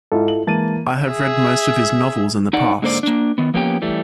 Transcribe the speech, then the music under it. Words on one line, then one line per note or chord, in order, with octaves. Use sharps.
I have read most of his novels in the past.
G#2 E4 F4 A4
F#7
E3 G#3 A#3 A5 A6 D#7
G#4 E5
D#4 D5 F#5
G#2 D3 A#3 C5 D5
A#3 D4
D#3 B3
F3 A#3 B3 C#4 G4 G5
E3 G3 A3